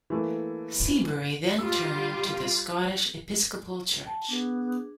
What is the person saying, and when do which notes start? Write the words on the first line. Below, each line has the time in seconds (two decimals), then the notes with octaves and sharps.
Seabury then turned to the Scottish Episcopal Church.
0.10 E3 A3 A#3
1.59 G3 F4 E6
4.06 G5 A5
4.29 B3 D4 G#4